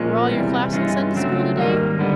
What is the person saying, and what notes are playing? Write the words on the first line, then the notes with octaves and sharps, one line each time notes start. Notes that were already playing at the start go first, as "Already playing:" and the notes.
"Were all your class in Sunday School today?"
Already playing: A#2 F3 G#3 C#4
E2 C3 E3 G3
G2 E3 G#3 C#4 F4
C#3 F#3 A3 C4
G#2 D#3 G3 A#3 D#4
D3 G3 B3